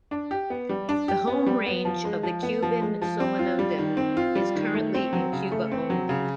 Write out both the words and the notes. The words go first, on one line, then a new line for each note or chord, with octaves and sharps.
The home range of the Cuban solenodon is currently in Cuba only.
D4
G4
B3
G3
D4
G4
B3
G3
B3
F3
G#3
F3
B3
F3
G#3
F3
C4
F4
G3
D#3
C4
F4
G3
D#3
A3
C4
F#3
C#3
A3
C4
F#3
C#3